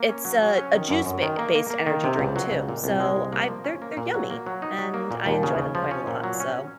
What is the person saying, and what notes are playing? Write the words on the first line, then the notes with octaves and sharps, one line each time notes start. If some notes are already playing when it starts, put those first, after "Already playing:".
It's a a juice ba based energy drink too, so I they're they're yummy, and I enjoy them quite a lot, so
Already playing: A#3
C#4
F#3
F#3
C#4
D#3
F#2
F#2
D#3
A#3
A#3
A#3
D#3
C3
C#2
F#3
C#2
A#2
C2
G#3
C2
A#3
F3
C#4
A#3
A#2
F#3
A#3
F#3
D#4
F#3
A#3
A#2
D#2
C#3
C#3
F3
C#4
A#2
F#3
C#4